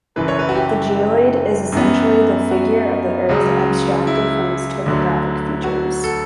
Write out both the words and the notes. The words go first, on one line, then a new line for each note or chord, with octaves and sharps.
The geoid is essentially the figure of the Earth abstracted from its topographic features.
F#1 F#2 E3 B4
C#5
B4
F#4
G4
F#2 E3 B3
F#4
C#2 C#3 F#3
E4
D2 D3 F#3
F#4
A4